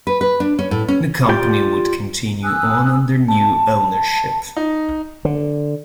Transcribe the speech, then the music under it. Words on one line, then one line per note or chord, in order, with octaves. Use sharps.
The company would continue on under new ownership.
B4
B4
D4
C#4
A2
C#4
F4 G4 D5 G5
G#5 D#6 E6 F#6
A5
D#4
D3